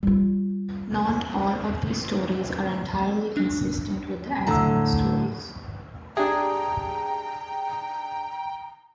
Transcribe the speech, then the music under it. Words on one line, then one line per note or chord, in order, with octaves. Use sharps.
Not all of these stories are entirely consistent with the Asimov stories.
G3 F4
D4
A2 D3 A#5 E6
D4 G4 G#4 E5 G5 A#5